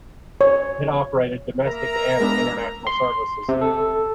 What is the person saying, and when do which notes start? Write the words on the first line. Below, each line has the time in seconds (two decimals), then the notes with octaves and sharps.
It operated domestic and international services.
0.41 C#5
1.64 A#3 A#4 E5 A#5
2.20 G#3 B3 D4
2.87 C6
3.49 C3
3.61 A4